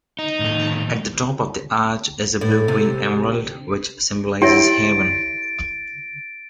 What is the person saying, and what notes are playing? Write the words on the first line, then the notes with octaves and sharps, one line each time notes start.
At the top of the arch is a blue-green emerald, which symbolises heaven.
D#4
A2 D#3
A2
C3
E4 G4 C#5 A6 A#6 D7